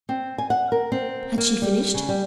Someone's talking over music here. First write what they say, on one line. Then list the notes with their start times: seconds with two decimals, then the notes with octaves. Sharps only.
Had she finished?
0.09 C4
0.38 G#5
0.50 F#5
0.72 A#4
0.92 C4
1.38 A#3
1.62 G3
1.94 C#3
2.09 G3